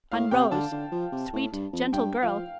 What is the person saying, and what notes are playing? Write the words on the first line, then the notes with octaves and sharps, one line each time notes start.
On Rose, sweet, gentle girl!
A2 F5
C3 G5
D3 A5
D3
F3
C3
A2
G2
F2
G2 G5
F3 F5